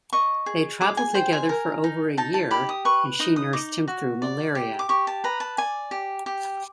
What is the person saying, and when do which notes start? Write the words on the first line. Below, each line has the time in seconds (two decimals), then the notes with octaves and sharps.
They travelled together for over a year and she nursed him through malaria.
0.13 D#5 C#6
0.46 G#4
0.81 G#4 D6
0.97 G#5
1.14 C5 G5
1.33 G#5
1.49 A#4
1.84 D#4
2.18 D#4 A5
2.34 A5
2.51 G4 B5
2.69 D#6
2.85 B4 C#6
3.19 D#4 D#6
3.36 D#6
3.53 D#4 D6
3.88 F#4
4.22 D5
4.55 G4
4.79 D6
4.89 G4 C#6
5.07 A5
5.24 B4 A#5
5.40 A5
5.58 D5 G#5
5.91 G4
6.26 G4